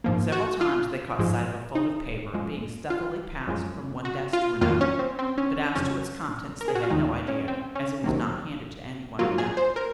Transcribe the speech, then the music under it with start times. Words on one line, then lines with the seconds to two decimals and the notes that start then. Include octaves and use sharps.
Several times they caught sight of a folded paper being stealthily passed from one desk to another, but as to its contents they had no idea, as it was not handed to any one of them.
0.04 G#2 F3 A#3
0.32 F#4
0.61 F4
1.19 G#2 F3 G#3
1.75 D#4
2.33 F#2 F3 G#3
2.90 F4
3.47 F#2 F3 G#3
4.05 F#4
4.33 F4
4.61 F2 D#3 F#3 A#3 F4
4.81 C#4
4.99 C4
5.19 C4
5.38 C#4
5.75 F2 C#3 F#3 C#4
6.61 A#4
6.68 G#4
6.75 F#4
6.83 F4
6.90 D#2 D#3 G#3 D#4
7.28 C#4
7.48 C4
7.75 C#4
8.04 C2 C3 D#3 F#3 A#3
9.19 G#2 F#3 A#3 F4
9.38 G#4
9.57 C5
9.76 A#4